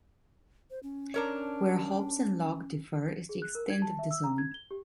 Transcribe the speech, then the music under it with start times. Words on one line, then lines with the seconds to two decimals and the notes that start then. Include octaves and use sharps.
Where Hobbes and Locke differ is the extent of the zone.
0.71 C5
0.83 C#4
1.14 D4 A#4 C#5
3.29 G#4
3.42 F#6
3.55 A#4
3.70 G#6
3.82 A5
3.99 E5
4.11 E6
4.24 A#5
4.38 G#6
4.54 G7
4.71 G4